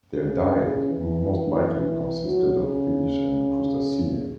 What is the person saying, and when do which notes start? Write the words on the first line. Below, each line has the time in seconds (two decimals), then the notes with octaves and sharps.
Their diet most likely consisted of fish and crustaceans.
0.20 C#3
0.54 C#3
0.88 E3
2.25 F#3
2.59 C#3